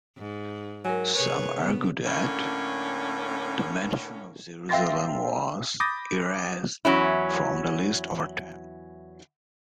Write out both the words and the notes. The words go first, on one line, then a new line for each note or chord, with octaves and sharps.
Some argue that the mention of Jerusalem was erased from the list over time.
G#2
F#3 A#4 G#5
C3 G#4 B4 C#5
C#3 B3
A2 D3 A#3 C#4
E5 F5 G5 C6 A6 A#6
B5 D6 D#6 G6 A6 A#6
E2 F#3 C#4 E4